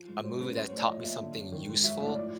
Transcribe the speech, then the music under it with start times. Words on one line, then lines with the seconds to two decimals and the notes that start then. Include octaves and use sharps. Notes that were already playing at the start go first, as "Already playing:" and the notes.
a movie that taught me something useful,
Already playing: F3
0.08 G#2
0.24 F#3 C5
0.39 C#3 B4
0.56 F#3 C5
0.67 C#5
0.72 A2
0.77 D5
0.88 F3 D#5
1.04 A#2 E5
1.20 D3
1.36 F#2
1.52 D#3
1.68 G#2
1.84 F#3 E5
2.00 A2
2.05 D5
2.16 F3 D5